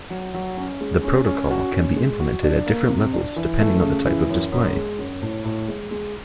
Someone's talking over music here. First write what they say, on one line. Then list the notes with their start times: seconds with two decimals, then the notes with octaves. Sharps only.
The protocol can be implemented at different levels depending on the type of display.
0.10 F#3
0.34 F#3
0.57 C#4
0.81 G#3
1.04 C#4
1.26 C#4
1.51 F#4
1.73 C#4
1.96 G#3
2.20 F#4
2.43 D4
2.66 A#3
2.89 C3
3.13 D4
3.36 E3
3.60 A3
3.82 C#3
4.06 E3
4.29 F#2
4.52 F#2
4.75 G#3
4.99 F#2
5.22 A2
5.44 A2
5.68 G#3
5.91 G#3